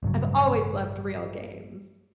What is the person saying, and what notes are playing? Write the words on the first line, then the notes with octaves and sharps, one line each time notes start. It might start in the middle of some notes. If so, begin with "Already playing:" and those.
I've always loved real games.
A1 G2 C#3 F#3